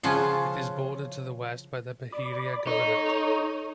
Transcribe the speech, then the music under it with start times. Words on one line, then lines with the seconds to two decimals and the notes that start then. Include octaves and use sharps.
It is bordered to the west by the Beheira Governorate.
0.03 C#3 F3 C#4 F4 F#5
2.12 D5 B5 D6
2.67 D#4 A4 C#5 C#6